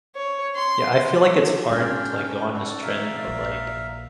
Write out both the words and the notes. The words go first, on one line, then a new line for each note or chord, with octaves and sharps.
Yeah, I feel like it's hard to, like, go on this trend of, like,
C#5
C6
G#2 C#3 C#4 D4 C5 G5 F6
F#4 A4 D5
A#4 E5 F5
A#1